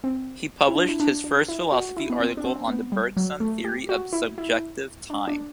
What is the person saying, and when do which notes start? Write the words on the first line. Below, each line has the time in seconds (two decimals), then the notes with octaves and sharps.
He published his first philosophy article on the Bergson theory of subjective time.
0.04 C4
0.68 E4
0.76 D4
0.88 E4
1.00 D4
1.24 D4
1.48 E4
1.72 F#4
1.97 E4
2.10 B3
2.20 C4
2.37 D4
2.44 C4
2.68 B3
2.92 G3
3.17 F#3
3.40 A3
3.64 G4
3.89 F#4
4.13 E4
4.38 E4
5.10 D4
5.28 D4